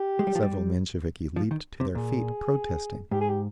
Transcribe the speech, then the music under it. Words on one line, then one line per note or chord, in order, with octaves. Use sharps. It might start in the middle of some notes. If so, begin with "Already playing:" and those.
Several Mensheviki leaped to their feet protesting.
Already playing: G4
G#3
G3
F3
G3
F3
D#3
C3
A#2 G#4
G#2 G4
G#4
G4